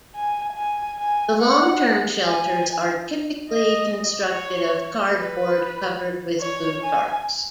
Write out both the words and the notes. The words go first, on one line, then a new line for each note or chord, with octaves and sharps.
The long-term shelters are typically constructed of cardboard covered with blue tarps.
G#5
G#5
G#5
F#5
G#5
D#5
C#5
B4
C#5
G#5